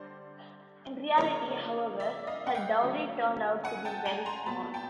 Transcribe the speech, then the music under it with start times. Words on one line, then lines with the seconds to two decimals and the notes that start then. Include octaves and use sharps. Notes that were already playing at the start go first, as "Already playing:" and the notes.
In reality, however, her dowry turned out to be very small.
Already playing: D3 G3 C5 D5
1.17 C#3 F3 A#3 D4 C#5 D#5
2.00 D5 E5
2.27 D#5 F5
2.47 F#5
2.54 F5 G5
2.82 D3 F#3 A3 C#4
3.64 F#5 G#5
3.85 G5 A5
4.06 G#5 A#5
4.26 A#5 C6
4.46 A#2 F#3 B3 A5 B5
4.74 G5 A5